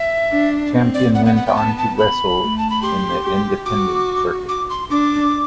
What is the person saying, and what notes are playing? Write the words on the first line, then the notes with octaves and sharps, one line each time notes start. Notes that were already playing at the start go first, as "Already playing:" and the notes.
Champion went on to wrestle in the independent circuit.
Already playing: E5
D4
C4
D5
B3 F#5
F#5
F#5
G5
A5
A5
B5
A3
A5
B5
G4 C6
G4
F#4 D6
D6
C6
D4 D6